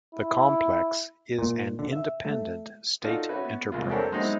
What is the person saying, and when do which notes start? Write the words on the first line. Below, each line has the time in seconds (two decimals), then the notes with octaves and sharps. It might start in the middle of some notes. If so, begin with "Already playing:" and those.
The complex is an independent state enterprise.
0.14 E4
1.39 A#2
1.79 D3
1.92 E5
2.25 A3
3.04 D#4 F4 F#4 A4 D5 F5
3.29 C#4 E4 F#4 B4
3.45 B3
3.72 C2 G#3 F4
3.89 C4 D4 G4 A4 A#4 C#5
4.12 F#3 G#3 B3 C4 D#4 E4